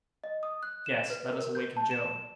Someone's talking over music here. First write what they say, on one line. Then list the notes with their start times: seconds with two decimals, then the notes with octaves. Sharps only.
"Yes, let us waken Joe."
0.24 D#5
0.43 D#6
0.63 F#6
0.86 E7
1.10 B4
1.33 A#4
1.55 G6
1.77 A5
1.91 E7